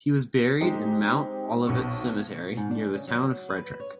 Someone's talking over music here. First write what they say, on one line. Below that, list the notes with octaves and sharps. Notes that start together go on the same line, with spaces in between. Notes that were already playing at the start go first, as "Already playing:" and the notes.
He was buried in Mount Olivet cemetery near the town of Frederick.
G#3 C4 D#4 G4
B1 B2 C#6
F4
G#2
D4
C#3
F#3
F#3
B4
C#5